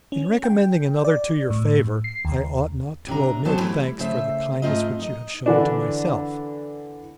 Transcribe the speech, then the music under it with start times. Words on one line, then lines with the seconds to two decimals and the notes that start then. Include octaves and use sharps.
'In recommending another to your favour, I ought not to omit thanks for the kindness which you have shewn to myself.
0.12 C#4
0.44 G5
1.05 D5
1.50 A2
2.04 C7
2.25 D#2
3.07 D#2 C3 D4 A#5
3.45 F2 E3 F#3 B3 C5 A5
3.60 E3 G3 A3 E4
3.99 C#3 A3 C5 E5
4.62 G#2 F#3 A3 C4 F4 D#5
4.99 D#4 D#5
5.46 D3 E3 D4